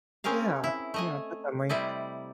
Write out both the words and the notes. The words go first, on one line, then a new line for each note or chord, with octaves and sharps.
Yeah, yeah, definitely.
C4 C#4 G#4 A#4 F5
E4
A3 D#5 G#5
C3 G3 E4 D5 D#5